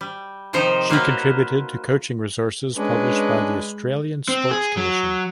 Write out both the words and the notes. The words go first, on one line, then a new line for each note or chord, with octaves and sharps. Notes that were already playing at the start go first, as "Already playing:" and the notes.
She contributed to coaching resources published by the Australian Sports Commission.
G3
C3 D#3 F3 D#4 C5 A#5
F#3 A#3 F4 B4 C5 A#5
G#3 C#4 D4 B4
C4
G#4
F#3